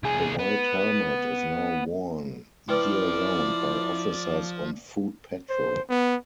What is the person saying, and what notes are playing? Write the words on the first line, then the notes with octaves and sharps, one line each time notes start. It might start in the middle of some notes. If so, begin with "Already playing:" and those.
The white helmet is now worn year round by officers on foot patrol.
C2 G#4
B3
F3 E4 B4 D5 G5
C5
B3